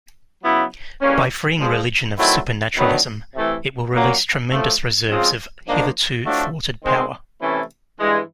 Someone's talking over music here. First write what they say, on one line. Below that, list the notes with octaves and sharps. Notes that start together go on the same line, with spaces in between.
By freeing religion of supernaturalism, it will release tremendous reserves of hitherto thwarted power.
C#3 F#3 B3 E4
C#3 E3 G3 A#3 C#4
A#2 F3 G#3
D#3 F#3 A3 C4 E4
F#2 D#3 F#3 B3 D4
C3 E3 A3
A#2 F#3 A#3 C#4
A2 F3 A3
C#3 F3 G#3 C4 F4
G#2 F3 A#3 D4
A2 F3 A3 D4 F#4
D#3 G#3 C4
C3 E3 A3 C#4 E4
G2 E3 G#3